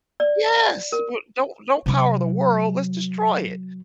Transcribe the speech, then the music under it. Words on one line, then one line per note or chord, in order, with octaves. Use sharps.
yes, w don't don't power the world, let's destroy it,
D5
A#4
C3 F#3